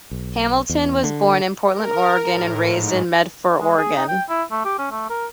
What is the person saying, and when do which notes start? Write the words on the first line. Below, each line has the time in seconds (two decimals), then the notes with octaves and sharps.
Hamilton was born in Portland, Oregon and raised in Medford, Oregon.
0.11 B1
0.70 E2
1.03 D3
1.69 A#4
2.26 A2
2.63 G#2
3.60 G#3
3.77 G#4
3.96 D#4
4.08 G5
4.29 E4
4.51 A3
4.65 G4
4.79 C#4
4.91 A3
5.10 A#4